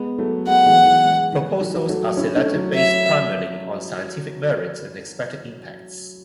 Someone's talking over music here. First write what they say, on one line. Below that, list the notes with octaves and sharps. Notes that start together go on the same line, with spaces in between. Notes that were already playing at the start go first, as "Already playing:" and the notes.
Proposals are selected based primarily on scientific merits and expected impacts.
Already playing: G#3 B3
F#3 A3
G#3 B3 F#5
E3 G#3
E3
E3 G#3
E3
F#3
F#3
F#3 A3
C#4 E4
A3 C#4
F#3
E5